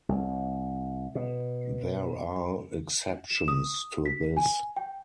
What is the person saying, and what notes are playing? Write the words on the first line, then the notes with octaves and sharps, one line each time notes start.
There are exceptions to this.
C2
B2
E7
D#6
B6
G#5
G5